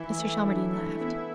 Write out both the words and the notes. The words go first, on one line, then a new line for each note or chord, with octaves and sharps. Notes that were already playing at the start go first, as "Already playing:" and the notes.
Mr. Shelmardine laughed.
Already playing: E3 E4 E5
A3
D4
A3
B3 E4 E5